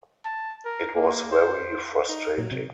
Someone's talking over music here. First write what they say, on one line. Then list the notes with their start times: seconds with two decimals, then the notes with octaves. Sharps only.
It was very frustrating.
0.25 A5
0.65 A#4
0.96 A#3
1.31 C5
2.09 D#4
2.38 A#2 F#3
2.52 C3